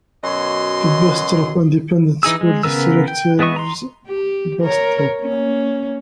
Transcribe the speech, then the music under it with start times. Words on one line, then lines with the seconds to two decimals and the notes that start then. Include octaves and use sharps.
The Bastrop Independent School District serves Bastrop.
0.24 F#2 B2 F#3 D#5 C6
2.23 E3 D#4 G#4 E6
2.41 G#3
2.63 C#3 B3 A#4 E6
3.08 G5
3.39 G#3 B3 E4 D#5 C#6
3.56 A#5 C6
4.07 G4
4.63 A#4 C#5
5.22 A#3 C#4